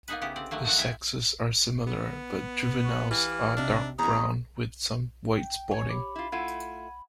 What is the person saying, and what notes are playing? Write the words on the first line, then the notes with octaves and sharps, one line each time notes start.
The sexes are similar, but juveniles are dark brown with some white spotting.
A#3 B3 D#4 G#4 B4
C#3 B3 E4 G4
D3 C4 D5
D#3 F#3 A3 A#3
F3 F#3 F#4
G#3 E4 G5 G#5
B3
F#4
E3 G4 F5
G#2 C3 D4
E2 C#4 D#5 A#5
G5
C#5 G#5 G#6
G4 B5 D6
E4 F4
A3 E4 F4 F#5 G#6 D#7